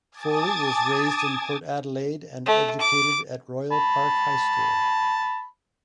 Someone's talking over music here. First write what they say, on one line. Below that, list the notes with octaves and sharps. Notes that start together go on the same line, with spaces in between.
Foley was raised in Port Adelaide and educated at Royal Park High School.
G#5 A5 D6 D#6 G#6 A6
A3
D6
A5 B5